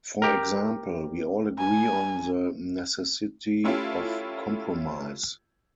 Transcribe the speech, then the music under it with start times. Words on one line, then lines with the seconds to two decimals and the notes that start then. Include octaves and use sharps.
For example: We all agree on the necessity of compromise.
0.22 G4 A#4
1.58 G#5
3.64 A3 C#4 E4 F4 G4 A4